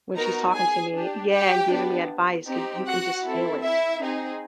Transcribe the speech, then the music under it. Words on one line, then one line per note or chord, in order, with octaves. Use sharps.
when she's talking to me Yeah, and giving me advice 'cause you can just feel it,
B3 D#4 F#4 A#4 A#5
G#4 G#5
D4 G4
G4 G5
B3 D4 G4
C4 D#4 G4
F#4 F#5
C4 E4 A4
E4 E5
C4 D#4 G#4